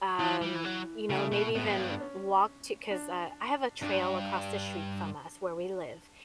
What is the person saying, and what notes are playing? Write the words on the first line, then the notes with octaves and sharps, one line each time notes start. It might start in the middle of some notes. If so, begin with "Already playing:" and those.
um, you know, maybe even walk to 'cause, uh, I have a trail across the street from us where we live,
E3 F#3
G3
E3
F#3
C#3 A3
B2
A2 B3
G2
A2
G2
D4
C#4
D4
G2 D4